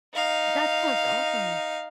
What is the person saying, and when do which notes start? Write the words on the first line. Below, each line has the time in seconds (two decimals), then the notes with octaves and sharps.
That sounds awesome.
0.14 D#4 F5